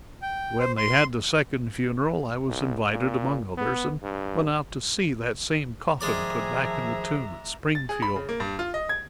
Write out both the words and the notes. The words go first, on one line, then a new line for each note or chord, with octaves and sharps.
When they had the second funeral, I was invited among others, and went out to see that same coffin put back in the tomb at Springfield.
G5
C5
C6
C2
A#2
B3
G2
D#3 F3 G#3 G#4 D5 E5 A#5 D6
A6
G#4
B5
C#3
A#3
G2
F4
D#5
G#6